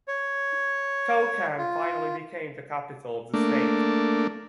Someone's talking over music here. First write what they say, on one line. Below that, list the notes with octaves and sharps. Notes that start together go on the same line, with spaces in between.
Kokand finally became the capital of the state.
C#5
F4
A3 A#3 D4